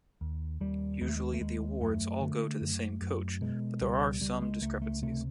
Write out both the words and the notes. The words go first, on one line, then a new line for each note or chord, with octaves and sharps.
Usually the awards all go to the same coach but there are some discrepancies.
D#2
D#2 G3
D#2 G#3
A3
G#3
A3
D#2 G#3
F#2 A3
D3
F#2
F#2
B2 G#3
C#2 G3
C#2 G3
G#3
C#2 A3
A3
C3 A3